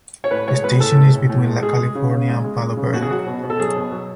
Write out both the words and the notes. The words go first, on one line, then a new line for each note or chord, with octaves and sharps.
The station is between La California and Palo Verde.
C#5
A2 B4
G#3 C#5
G#3 B4
A2 A4
G#3
A2
A2
G#3
G#3 G#4
G#3
C#3
C#3
G#3
G#3
G#3
C#3
B2 F#4
G#4
F#3 F#4
B2
B2
A4
F#3 G#4
B2
F#3